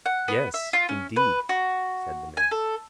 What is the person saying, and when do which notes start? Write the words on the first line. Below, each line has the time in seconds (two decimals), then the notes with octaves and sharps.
"Yes, indeed," said the man.
0.06 F#5
0.28 B3
0.54 E5
0.73 F4
0.89 C#4
1.16 B4
1.49 F#4
2.37 G#5
2.51 A4